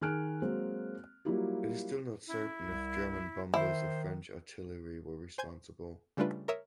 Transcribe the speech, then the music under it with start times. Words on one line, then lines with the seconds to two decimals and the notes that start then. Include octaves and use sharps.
It is still not certain if German bombers or French artillery were responsible.
0.01 D#3 G#4 G#5 F6 F#6 D7
0.42 F#3 G#3 A#3 C4
1.25 F#3 G3 A#3 E4 F4 G4
2.27 C#4 E4
2.63 C2
3.54 D#3 E4 C5
5.38 C5 G#5 G6 G#6
6.17 C#3 G3 A3 D4 F4 B4
6.48 A#4 C#5 E5 D#6